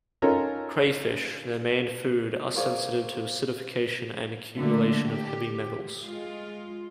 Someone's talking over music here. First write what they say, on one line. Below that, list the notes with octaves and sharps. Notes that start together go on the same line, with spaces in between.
Crayfish, their main food, are sensitive to acidification and accumulation of heavy metals.
C#4 D#4 F4 A4 A#4 C#5
A#3 C4 F4 G#4 C#5 D5
D3 G3 A3 A#3
G4
G#3 F4